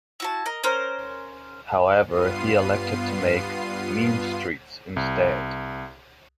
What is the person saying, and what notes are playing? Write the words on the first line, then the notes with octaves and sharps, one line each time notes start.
However he elected to make "Mean Streets" instead.
E4 F#4 A5
A#4 D#5
C#4 A#4 C5
G2 B3 F4 C7 D#7
C2